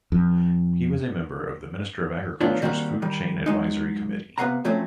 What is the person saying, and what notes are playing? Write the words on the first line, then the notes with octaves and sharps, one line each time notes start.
He was a member of the Minister of Agriculture's food chain advisory committee.
F2
A2 D#3 F#3 B3 D4 F4
D#3 G3 A#3 C4 F#4
D#3 G3
F#3 G#3 D#4
C3 B3 B4 F5 F#5 A#5
F2 F#3 A3 C4 C#4